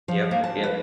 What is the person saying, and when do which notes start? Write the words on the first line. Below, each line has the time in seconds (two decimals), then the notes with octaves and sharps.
Yep, yep.
0.08 F3
0.31 A#3
0.44 A5
0.64 B4